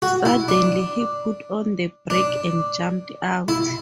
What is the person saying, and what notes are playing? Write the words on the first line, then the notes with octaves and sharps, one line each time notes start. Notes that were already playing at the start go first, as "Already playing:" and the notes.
Suddenly he put on the brake and jumped out.
F#4
E4
D4
D4
E4